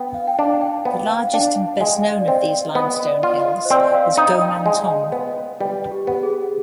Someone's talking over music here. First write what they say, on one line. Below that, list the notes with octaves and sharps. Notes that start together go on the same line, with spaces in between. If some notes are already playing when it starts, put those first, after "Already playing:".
The largest and best known of these limestone hills is Gomantong.
Already playing: B3 G5
F5
G5
D4 F5
G5
B3 G5
F5
F5
D4 G5
G5
G#3 F5
D#5
D5
C4 D#5
D#5
B3 D#5
D5
F4 F5
D#5
C5
C4 D5
F5
D#4 D#5
G5
G#3 G5
B3
G3 B4
G4
B3
G#4